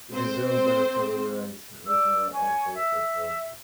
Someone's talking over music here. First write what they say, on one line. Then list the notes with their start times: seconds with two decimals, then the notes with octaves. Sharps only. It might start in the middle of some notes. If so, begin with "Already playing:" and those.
It is owned by the Telluride Regional Airport Authority.
0.13 C4 C5
1.87 D5 E6
2.34 C#5 G#5 C#6
2.72 E5